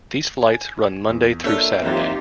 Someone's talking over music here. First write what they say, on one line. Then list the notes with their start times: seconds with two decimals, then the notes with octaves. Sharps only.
These flights run Monday through Saturday.
0.41 G#5
1.09 E2
1.44 A#3 D4 F4 A4 C#5 E5
1.82 E3 F#3 A#3 C4 D#4 F4 G4